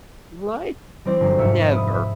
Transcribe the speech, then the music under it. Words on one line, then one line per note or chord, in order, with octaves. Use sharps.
Like, never.
G3 C4 C5 D5
G1
F1 G#2 E5 F5 C#7
B5 D#6
E5